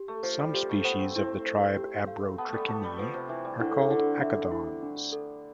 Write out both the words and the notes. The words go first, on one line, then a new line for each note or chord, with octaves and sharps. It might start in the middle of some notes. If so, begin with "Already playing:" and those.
Some species of the tribe Abrotrichini are called akodons.
Already playing: G4
A3
F3 C5
G3
F3 G4
A3
B3 C5
C4
C4 E4
C5
G4
F5
B3 A5
A3
G3
A3 A5
G3
F3 B4
C3
E3 E5
G3
D3 E4
D3 E4
E5
E4
D4
A4